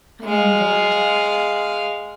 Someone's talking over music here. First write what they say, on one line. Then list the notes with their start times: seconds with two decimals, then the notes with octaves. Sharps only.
'I am glad.
0.24 G#3 F5